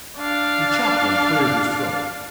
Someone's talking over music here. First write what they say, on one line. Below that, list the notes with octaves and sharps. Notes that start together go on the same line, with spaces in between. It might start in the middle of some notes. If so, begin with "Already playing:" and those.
The chaplain cleared his throat.
D4 F5